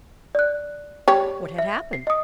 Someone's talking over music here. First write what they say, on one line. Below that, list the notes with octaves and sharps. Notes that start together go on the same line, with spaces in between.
What had happened?
D5 F#6
G3 C#5
E5
C7
D#5 D#6